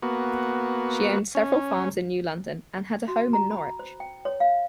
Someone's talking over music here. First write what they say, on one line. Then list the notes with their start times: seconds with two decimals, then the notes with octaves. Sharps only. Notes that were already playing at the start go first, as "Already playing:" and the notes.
She owned several farms in New London, and had a home in Norwich.
0.03 A#3 B3 F#4
1.35 C#4
3.08 F#4
3.33 A#5
3.51 B5
3.79 C5
4.00 G5
4.25 C#5
4.40 F5